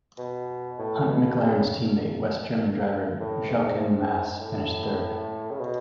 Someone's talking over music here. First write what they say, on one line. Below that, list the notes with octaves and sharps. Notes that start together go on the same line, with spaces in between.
Hunt's McLaren team mate, West German driver Jochen Mass, finished third.
B2
A2
B2
C#3
A2
G#2
A2
C#3
B2